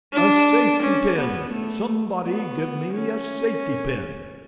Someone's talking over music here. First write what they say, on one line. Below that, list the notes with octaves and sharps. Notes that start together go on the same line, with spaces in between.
"A safety-pin! ... somebody give me a safety-pin!"
D4
C#4
B3
A3
B3
C#4